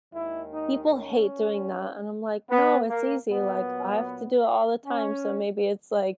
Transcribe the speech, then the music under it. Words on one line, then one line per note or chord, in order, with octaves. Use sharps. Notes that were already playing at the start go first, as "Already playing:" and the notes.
People hate doing that, and I'm like, "No, it's easy," like, I have to do it all the time, so maybe it's, like,
D#2 D#3 G#3 E4
D#4
C#4
B3
A#3
A#2 F#3 B3
C#4